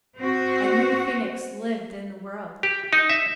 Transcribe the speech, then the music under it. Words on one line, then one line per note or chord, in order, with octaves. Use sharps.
A new Phoenix lived in the world.
C4 F#4
G4
D#4
E5